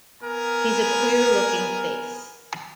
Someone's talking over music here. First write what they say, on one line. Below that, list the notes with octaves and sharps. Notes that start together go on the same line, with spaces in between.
He’s a queer looking face.
B3 A#4 G#5